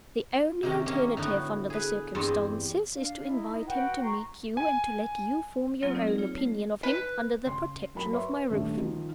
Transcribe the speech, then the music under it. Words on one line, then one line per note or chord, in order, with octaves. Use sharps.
The only alternative under the circumstances is to invite him to meet you, and to let you form your own opinion of him--under the protection of my roof.
C3 D#3 C#4
D#3 A#3 C#4
A2 D3 B3 F#4
G#4 B4
E2 G2 C4 C5 D5 G#5
D4 F5
D#4 E4
F#4 B4 F#5 G5
A#5 C6 C#6
G#5
F#3 A#3 C4 F4
D#4 D5
G#4 A#4
F4 C#5
A3
B4
C#3 C6
F#3 A#4 B5
B4 C#5 E5 C6
D#1 A3 D4 E5
D#3 F3